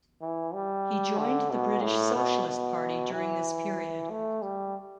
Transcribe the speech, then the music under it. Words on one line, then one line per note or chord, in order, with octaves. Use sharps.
He joined the British Socialist Party during this period.
E3
G3
D3
B2
A2
B2
B2
E3
A3
G3